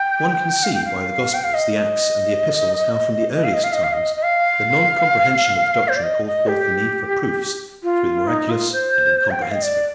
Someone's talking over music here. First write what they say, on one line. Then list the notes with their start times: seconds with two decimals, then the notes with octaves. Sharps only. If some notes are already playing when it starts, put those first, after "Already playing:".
One can see by the Gospels, the Acts, and the Epistles how from the earliest times the non-comprehension of the doctrine called forth the need for proofs through the miraculous and incomprehensible.
Already playing: G5
0.63 F5
0.74 G5
0.85 F5
1.34 G5
1.44 F5
1.54 D#5
3.33 D#5
3.44 F5
3.54 D#5
3.64 F5
3.73 D#5
3.84 F5
3.93 D#5
4.16 D#5
4.23 F5
5.88 C5
5.96 D5
6.03 D#5
6.26 D#5
6.48 G4
7.83 F4
8.27 D#4
8.50 F4
8.72 C5
9.31 G5
9.42 F5
9.52 D#5
9.62 D5